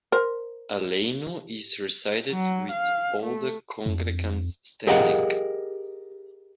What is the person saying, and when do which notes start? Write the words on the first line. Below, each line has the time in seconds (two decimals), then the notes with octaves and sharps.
"Aleinu" is recited with all the congregants standing.
0.12 A#4 C5
2.31 F#3
2.72 F5
3.23 A3
3.86 F2
4.87 G4 G#4 A#4 D#5 F5 F#5